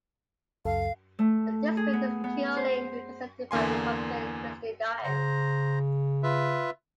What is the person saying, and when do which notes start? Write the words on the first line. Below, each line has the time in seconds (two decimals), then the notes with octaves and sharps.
The district is currently represented by Republican Kristi Noem.
0.65 C#2 F#2 A4 F5
1.19 A3
1.77 G#4
1.93 B3
2.24 B3
2.57 C5
3.51 E2 D3 A#3 G#5 C6
5.04 C#3 C5 A#5
6.23 F4 B4 E5